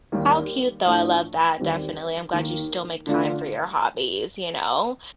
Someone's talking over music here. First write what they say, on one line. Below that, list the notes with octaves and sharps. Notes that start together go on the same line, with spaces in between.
How cute, though, I love that. Definitely. I'm glad you still make time for your hobbies, you know?
D#2 D#3 G3 A#3
A2 F3 A3 D4
D#2 D#3 G3 C4
D#2 D#3 A#3
D3 A3 D4 F4